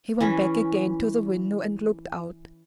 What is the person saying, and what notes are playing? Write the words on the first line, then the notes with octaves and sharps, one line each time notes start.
He went back again to the window and looked out.
E3 C#4